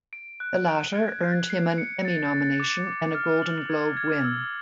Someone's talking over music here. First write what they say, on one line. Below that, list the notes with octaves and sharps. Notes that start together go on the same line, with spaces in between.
The latter earned him an "Emmy" nomination and a Golden Globe win.
D7
F#6
D7
G#6
C7
C7
C#7
A6
A6
D6
D6
F6
F#7
G#6
G#6
E6